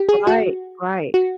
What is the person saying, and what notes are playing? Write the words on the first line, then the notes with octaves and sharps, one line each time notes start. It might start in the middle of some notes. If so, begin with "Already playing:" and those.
Right, right,
Already playing: G4
G#4
F#4
F#4